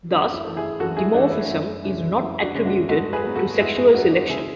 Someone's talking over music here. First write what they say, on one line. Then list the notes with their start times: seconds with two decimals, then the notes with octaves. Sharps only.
Thus, the dimorphism is not attributed to sexual selection.
0.10 F#2 D4
0.34 E4
0.45 E3 A3
0.56 E4 G#4
0.80 F#2 F#4 A4
0.97 E4 G#4
1.14 E3 A3 D4
1.31 E4
1.50 F#2 E4
1.84 C#3 G#3 C#4 D4
2.19 F#2 E4
2.42 D4 F#4
2.54 C#3 G#3 C#4
2.66 D4 F#4
2.89 G#2 F#4 A4
3.13 G#4 B4
3.24 F#3 B3
3.36 F#4 A4
3.58 G#2 E4 G#4
3.77 E4 G#4
3.94 F#3 B3 D4 F#4
4.11 D4 F#4
4.29 C#3 E4 G#4